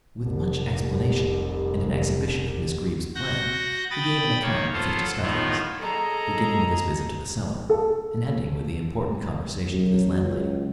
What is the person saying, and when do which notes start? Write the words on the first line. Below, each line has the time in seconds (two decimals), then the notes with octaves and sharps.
With much explanation and an exhibition of Miss Greeb's plan, he gave an account of his discoveries, beginning with his visit to the cellar, and ending with the important conversation with his landlady.
0.20 F1 C2
3.15 F#4 F#5 G6 A#6
3.90 G5 B5 D#6 A6
4.42 D#3 A#3 C#5
4.73 F#3 B3 F4 A4 C5
5.22 A2 D#3 B3 E4 F4
5.79 G#4 A4 D#5 A#5
7.70 A4
9.72 F#2 F#3
10.21 C#2